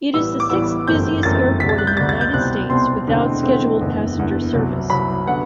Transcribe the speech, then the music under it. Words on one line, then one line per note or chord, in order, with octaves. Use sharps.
It is the sixth-busiest airport in the United States without scheduled passenger service.
A1 A2 E3 G3 B3 E6
D6
A1 A2 E3 G3 B3 E6
G1 F#2 E3 A3 C4 G6
G1 F#2 E3 A3 C4 A6
D2 C3 G3 B6
A6
F#6
G6
D2 C3 G3 A6
A6
G6
C2 B2 G3 C4 F#6
C2 B2 G3 C4 C6
E1 E2 D3 A3 C4
E1 E2 D3 A3 C4
F#1 E2 D3
F#1 E2 D3
C2 C3 F#3
C2 C3 F#3 B5
D3 F#3 B3 F#5